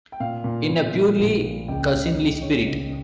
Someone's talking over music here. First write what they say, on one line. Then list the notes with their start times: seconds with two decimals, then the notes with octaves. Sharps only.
In a purely cousinly spirit.
0.12 G5
0.20 A#2 F5
0.44 A#2
0.69 A#2
0.93 A#2
1.18 A#1
1.44 A#2
1.68 C#2 G5
1.92 C#2
2.05 D#5
2.16 C#3
2.41 C#3 C#5
2.66 C#2